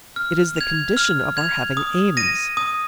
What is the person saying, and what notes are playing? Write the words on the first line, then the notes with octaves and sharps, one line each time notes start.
It is the condition of our having aims.
F6
G#6 F7
F6
G#6 F7
D#6
A#6 D#7
D#6